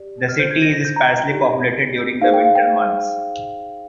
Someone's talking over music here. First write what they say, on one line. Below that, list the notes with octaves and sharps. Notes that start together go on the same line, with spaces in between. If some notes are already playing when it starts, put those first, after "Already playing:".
The city is sparsely populated during the winter months.
Already playing: G4 D5
F6
F4 C5 G6
G#6
A#6
A#6
G6
A#5
G5
D#4 G4 D5
D#4 G#4 C5 F5
G5
F5
G5